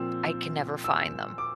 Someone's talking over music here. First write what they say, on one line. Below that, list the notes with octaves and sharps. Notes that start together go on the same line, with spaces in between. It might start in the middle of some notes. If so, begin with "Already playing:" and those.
I can never find them.
Already playing: A#2 F3 C4 E6
E6
D6